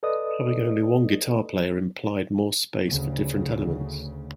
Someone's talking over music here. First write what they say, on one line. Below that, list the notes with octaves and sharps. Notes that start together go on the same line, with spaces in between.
Having only one guitar player implied more space for different elements.
A4 B4 D5 D#5 D#6
D2 C#3